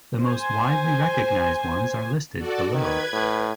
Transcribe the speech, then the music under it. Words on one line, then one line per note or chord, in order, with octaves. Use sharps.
The most widely recognized ones are listed below.
C5 G#5
F#4 A4 D5
D#3 B4 G#6
A2